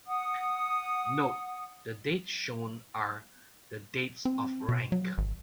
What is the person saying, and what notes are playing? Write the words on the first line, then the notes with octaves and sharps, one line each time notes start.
Note - The dates shown are the dates of rank.
F#5 D#6
C4
B2
F#3
G#1